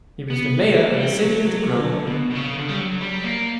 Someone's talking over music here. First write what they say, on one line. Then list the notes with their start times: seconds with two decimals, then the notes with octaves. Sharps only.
He was the Major of the City of the Grover.
0.30 B3
0.60 A#3
0.90 G3
1.19 F#3
1.47 F#3
1.77 D3
2.07 B2
2.30 B2
2.35 C#3
2.58 D3
2.69 G3
2.79 F#3
3.01 G3
3.24 A#3